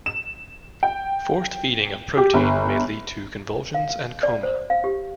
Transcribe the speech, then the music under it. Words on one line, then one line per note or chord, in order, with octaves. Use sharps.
Forced feeding of protein may lead to convulsions and coma.
E7
G5
G4
G1
F5
F5
D5
C5
F5
G4